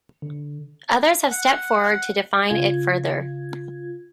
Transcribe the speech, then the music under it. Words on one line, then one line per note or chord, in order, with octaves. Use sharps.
Others have stepped forward to define it further.
D3
F#5
C#3 F4 G#6